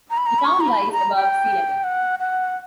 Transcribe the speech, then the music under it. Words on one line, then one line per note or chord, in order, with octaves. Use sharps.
The town lies above sea level.
A#5
B5
A#5
B5
C#6
A#5
B5
A#5
G5
F#5
F#5